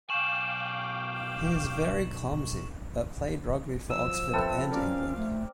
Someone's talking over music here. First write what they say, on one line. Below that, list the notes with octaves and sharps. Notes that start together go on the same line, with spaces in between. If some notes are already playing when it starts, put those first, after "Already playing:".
He is very clumsy, but played rugby for Oxford and England.
B1 F5 G5 G#5 C#6 D6 E7 F#7
F3 E6
C4 A4 B4 E5
C#4 A#4 D5 F5
A3